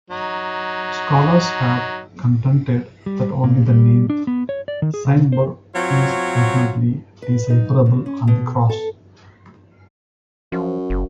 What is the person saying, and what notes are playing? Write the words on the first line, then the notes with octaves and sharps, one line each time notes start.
Scholars have contended that only the name "Cyneburh" is definitely decipherable on the cross.
F#3 D#4
G3
A#2
G3
D4
B3
C#5
D5
D#3
G#4
C3
C5
F#3 C4 F4 C#5
B4
D#4
C#3
C#4
B2
A4
F#2 F3
F#1